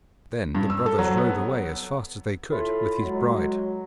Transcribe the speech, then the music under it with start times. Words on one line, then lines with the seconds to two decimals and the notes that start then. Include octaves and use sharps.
Then the brothers rode away as fast as they could, with his bride.
0.55 G2
0.70 E6
0.86 A4
0.98 F#3
1.18 B3
2.50 A2 F4 B5
3.00 F#3 G#3